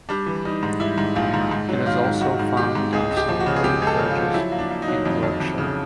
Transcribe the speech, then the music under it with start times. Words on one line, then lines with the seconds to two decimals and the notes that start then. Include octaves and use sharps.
It is also found on some road verges in Yorkshire.
0.09 G3 D4
0.26 E3
0.45 G3 D#4
0.63 G#2
0.80 G3 E4
0.98 G#2
1.15 A#1 F4
1.34 G#2
1.51 G#2
1.69 F#3
1.86 D#3 F4
2.04 G#2
2.21 G#2 F#4
2.39 G#2
2.57 D#3 G4
2.75 G#2
2.93 C#2 G#4
3.11 C#2
3.17 G4
3.29 F3
3.40 F#4
3.46 C#3
3.56 G#4
3.64 C#2 G4
3.82 C#2 G#4
3.87 A4
3.99 C#3
4.11 F4
4.16 F3
4.34 F#3 E4
4.52 A#3
4.59 D4
4.70 A#3
4.82 D#4
4.88 F#3
5.05 F2
5.23 F2
5.40 F2
5.58 C#3